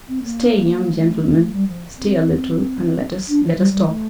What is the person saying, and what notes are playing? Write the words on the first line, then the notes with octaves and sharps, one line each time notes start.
Stay, young gentleman, stay a little, and let us--let us talk.
C4
A#3
A3
A3
G3
F3
C4
D4
F3
G3
G3
A3